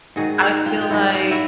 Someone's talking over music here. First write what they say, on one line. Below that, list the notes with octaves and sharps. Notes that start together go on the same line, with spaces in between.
I feel like
G#2 D#3 F#3 F#4 G#4
F#4 G#4
F4 G4
G4
G#2 D#3 F#3 E4 F#4
F#4
F4
E4 F#4